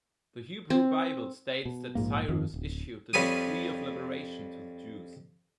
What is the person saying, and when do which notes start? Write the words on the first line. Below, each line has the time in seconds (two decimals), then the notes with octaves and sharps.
The Hebrew Bible states that Cyrus issued the decree of liberation to the Jews.
0.70 C4
1.65 B2
1.95 A#1 G#2 A#3
2.28 G1 F2 D#3 F3
2.54 D1
3.13 F2 G3 B4 C#5 G#5 D#6